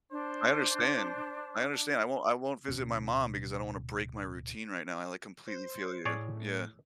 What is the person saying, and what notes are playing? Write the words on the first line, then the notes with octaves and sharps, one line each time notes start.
I understand, I understand. I won't I won't visit my mom because I don't wanna break my routine right now. I, like, completely feel you, yeah,
D4 C5
D1 C#2 B2 C#4
C5
A2 G#4 C#5 D5